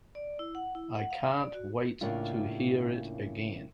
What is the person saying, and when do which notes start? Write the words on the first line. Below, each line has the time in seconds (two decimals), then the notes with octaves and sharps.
I can’t wait to hear it again.
0.15 D5
0.39 E4
0.55 F#5
0.75 E4
0.95 F#5
1.11 F5
1.40 D5
1.54 F#4
2.01 A2 C#3 A#3 D4 F4